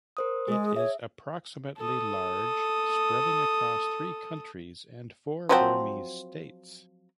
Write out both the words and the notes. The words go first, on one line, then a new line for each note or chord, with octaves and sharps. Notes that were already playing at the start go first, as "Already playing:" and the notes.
It is approximately large, spreading across three countries and four Burmese states.
A#4 C5 D#6
G#3 G#4 D#6
C#5 E5
A4 D#6
F3 F#3 C4